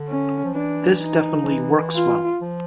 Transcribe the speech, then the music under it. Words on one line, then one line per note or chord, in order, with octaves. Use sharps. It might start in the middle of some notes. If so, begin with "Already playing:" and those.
This definitely works well.
Already playing: D3
C#4
F3
E3 D4
D#4
F3
E3
F4
F3